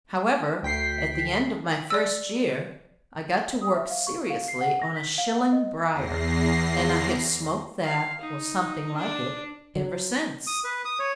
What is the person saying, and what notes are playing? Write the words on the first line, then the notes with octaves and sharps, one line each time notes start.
However, at the end of my first year I got to work seriously on a shilling briar, and I have smoked that, or something like it, ever since.
D2 G5 B6 C7
D5 E6
D#6
E5
F5
C#6
F5
C7
F#5
A#6
B6
F5
F#5
D#5
E2 A#6 C7
F5
D#4
D4
F#3
D#6
B4
D#6
C#5